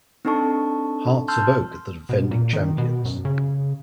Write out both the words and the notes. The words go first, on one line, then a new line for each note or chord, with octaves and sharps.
Hearts of Oak are the defending champions.
C4 D4 D#4 A4 A5 C#6
A5 C6 E6 F6 G6
B2
A#2
D#3
B2
F#2
C#3